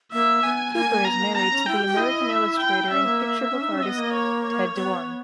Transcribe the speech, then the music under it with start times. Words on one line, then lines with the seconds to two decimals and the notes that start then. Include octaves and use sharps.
Cooper is married to the American illustrator and picture book artist Ted Dewan.
0.12 A#3 E5
0.43 B3 G#5
0.74 A#3 G#5
0.89 A#3
1.05 B3 A#5
1.20 A#3
1.35 B3 A#5
1.51 C#4
1.66 E4 G5
1.77 G4
1.87 G4
1.97 E4 D#5
2.29 E5
2.59 G5
2.90 C#4 E5
3.05 A#3
3.21 E5
3.52 C#4
3.62 D#4
3.72 C#4
3.82 B3 D#5
3.98 A#3
4.13 C#5
4.44 C#5
4.75 B3